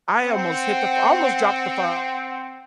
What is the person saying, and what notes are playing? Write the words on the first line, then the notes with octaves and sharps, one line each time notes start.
I almost hit the fl I almost dropped the phone.
C4 F#5